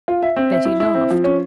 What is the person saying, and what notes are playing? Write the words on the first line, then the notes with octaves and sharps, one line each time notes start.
Betty laughed.
F4
E5
C4
E5
E4
E4
C4
F3
C#4